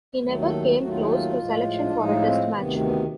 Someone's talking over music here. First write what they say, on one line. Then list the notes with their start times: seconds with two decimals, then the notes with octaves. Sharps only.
He never came close to selection for a Test match.
0.22 D#2 D#3 F#3 A3
0.42 A4
0.79 D#2 D#3 F#3 A3 F#4
0.88 F4
0.98 E4
1.07 F4
1.37 A2 F3 G#3
1.85 D4
1.93 A2 F3 G#3 D#4
2.22 C4
2.50 D2 C3 D#3 B3
2.79 B3